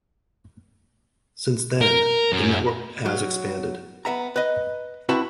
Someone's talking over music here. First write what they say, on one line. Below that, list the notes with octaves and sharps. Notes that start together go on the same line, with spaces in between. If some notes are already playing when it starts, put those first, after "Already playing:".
Since then the Network as expanded.
A#4
F#2
F#3
B3 E5 A#5
B4 D#5
C4 E4 F#4 B4 E5 A5